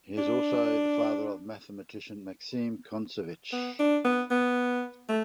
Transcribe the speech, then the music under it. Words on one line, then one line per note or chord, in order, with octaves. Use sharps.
He is also the father of mathematician Maxim Kontsevich.
D4
B3
D4
B3
B3
A3